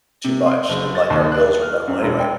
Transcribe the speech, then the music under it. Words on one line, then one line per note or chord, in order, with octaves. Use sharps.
too much and, like, our bills were minimal anyway,
C3
C6
F#1
A6
D#2
F#6
F6
F#2
E1
G5